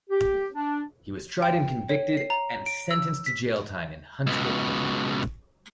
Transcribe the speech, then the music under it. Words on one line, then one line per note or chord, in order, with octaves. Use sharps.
He was tried and convicted and sentenced to jail time in Huntsville Prison.
G4
D4
G5
C#5
C7
A#5
D7
E6
B6
C#2 B2